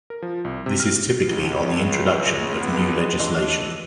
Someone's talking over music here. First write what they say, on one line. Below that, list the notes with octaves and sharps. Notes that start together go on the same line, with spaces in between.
This is typically on the introduction of new legislation.
A#4
F3
C2
C3
F6
C#2 C#3
B3
E3 D4 D#5 C6